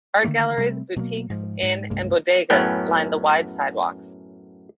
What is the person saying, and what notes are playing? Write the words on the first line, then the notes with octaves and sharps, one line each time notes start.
Art galleries, boutiques, inns and Bodega's line the wide sidewalks.
D3 D#3 A3 A#3
C3 G3 A3 C4
B2 F#3 G#3 A#3
G#2 F3
G#2
C2 G2 G#3 A#3
F#2 A2 B3 C#4 G5